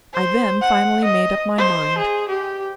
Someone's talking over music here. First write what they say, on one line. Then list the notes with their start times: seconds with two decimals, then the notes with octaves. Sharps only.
I then finally made up my mind.
0.13 C5
0.61 F#5
1.04 D#5
1.58 C5
1.98 G#4
2.28 G4